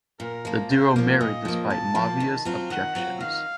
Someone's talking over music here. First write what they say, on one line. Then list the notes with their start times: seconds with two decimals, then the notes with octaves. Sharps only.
The duo married despite Maivia's objections.
0.20 A#2 A#4
0.45 F3 A#3
0.70 A#2 C5
0.96 F3 A#3
1.20 A#2 D#5
1.45 F3 A#3
1.70 A#2 A5
1.95 F3 A#3
2.20 D#3
2.45 F#3 C4 F4
2.70 D#3 F#5
2.95 F#3 C4 F4
3.20 D#3 F5